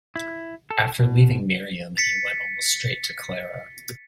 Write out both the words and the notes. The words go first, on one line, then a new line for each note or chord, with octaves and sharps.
After leaving Miriam he went almost straight to Clara.
E4
A4
B2
A6 B6 C#7